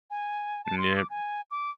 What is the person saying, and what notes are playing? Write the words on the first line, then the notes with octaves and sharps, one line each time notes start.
Mm, yep.
G#5
A5
C6
D6
G#5
D6